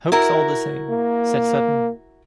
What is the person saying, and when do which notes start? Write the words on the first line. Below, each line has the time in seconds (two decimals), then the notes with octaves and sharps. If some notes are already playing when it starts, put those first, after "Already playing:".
"Hoax all the same," said Sutton.
0.12 E4 F#4 A#4
0.90 A#3